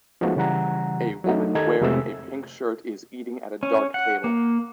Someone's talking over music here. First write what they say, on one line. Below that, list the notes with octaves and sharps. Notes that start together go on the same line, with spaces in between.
A woman wearing a pink shirt is eating at a dark table.
F3 G#3 A3 B3 D#4 F#4
C#3 E3 G3 F#5 A#5
F#3 A3 D#4
D#3 D#4 G4 A4 G#6
F2 C3 G#3 A3 A4 E6
C#4
F#5
A#3